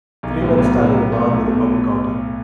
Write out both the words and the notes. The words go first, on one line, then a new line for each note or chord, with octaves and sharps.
Three men stand in a bar with a purple counter.
B1
A2 F#3 B3
B1
A2 F#3 B3
B1
B2 A3
B1
B2 A3